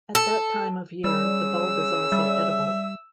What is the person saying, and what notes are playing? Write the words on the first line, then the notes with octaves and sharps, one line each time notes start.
At that time of year, the bulb is also edible.
A4
C#3 G3 E6
G3 E5